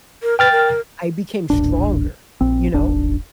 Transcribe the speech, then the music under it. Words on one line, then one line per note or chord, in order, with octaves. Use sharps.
I became stronger, you know.
A#4
B4 G5 F6 A6
A#4
D#1 A1 D4
A#1 C4
D#1 G#1 D4